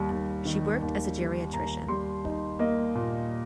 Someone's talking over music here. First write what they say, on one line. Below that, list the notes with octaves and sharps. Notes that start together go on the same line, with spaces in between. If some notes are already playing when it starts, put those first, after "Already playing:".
She worked as a geriatrician.
Already playing: D#2 G3
D#2
D#3
D#2
G3
D#2 A#5
G3 C6
D#4
A#3 D#5
A#2